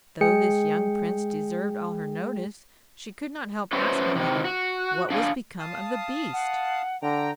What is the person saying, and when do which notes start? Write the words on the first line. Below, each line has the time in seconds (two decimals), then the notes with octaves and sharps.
Though this young prince deserved all her notice, she could not help asking him what was become of the beast.
0.21 G#3 G#4 G5 C#7
3.73 A3 C#4 F#4 B4 C5
4.15 C3 D#3
4.45 F#4
5.10 D4 F5 G5 G#5
5.59 F5 A5 D#6
6.33 F#5
7.02 D3 G5 A#5